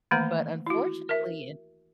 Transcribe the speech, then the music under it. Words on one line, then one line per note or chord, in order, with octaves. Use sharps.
but unfortunately in
D#3 E3 A3 A#3 A#5
E4 F#4
A#4 E5